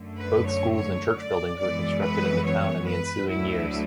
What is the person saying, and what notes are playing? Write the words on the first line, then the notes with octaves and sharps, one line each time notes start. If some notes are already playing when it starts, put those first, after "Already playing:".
Both schools and church buildings were constructed in the town in the ensuing years.
Already playing: F#2 D3 A3
B4
C#5
C#5
D5
F#2 E3 G#3 B3 D5
B4
C#5
B4
D2 D3 F#3 A3 E4